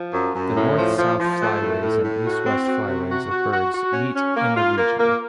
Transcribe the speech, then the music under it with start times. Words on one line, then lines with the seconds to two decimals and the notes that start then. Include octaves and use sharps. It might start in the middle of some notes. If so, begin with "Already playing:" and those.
The north-south flyways and east-west flyways of birds meet in the region.
Already playing: F3
0.13 F#2
0.34 F#2
0.55 A2
0.76 F3
0.97 F3
1.19 F3
1.40 A3
1.61 A2
1.82 A2
2.03 A2
2.25 F#4
2.46 C4
2.67 F#4
2.87 C3
3.09 F#4
3.29 F#4
3.51 F#4
3.72 F#4
3.92 C#4
4.14 C#4
4.35 A#3
4.56 F4
4.77 A#3
4.98 A#3